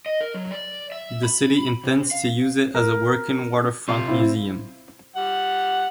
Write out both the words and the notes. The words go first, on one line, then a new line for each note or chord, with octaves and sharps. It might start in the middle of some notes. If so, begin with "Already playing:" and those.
The city intends to use it as a working waterfront museum.
D#5
A#4
F#3
D5
E5
B5
C3
F5
A#4
C3 F4
C4 E4
G3 F#5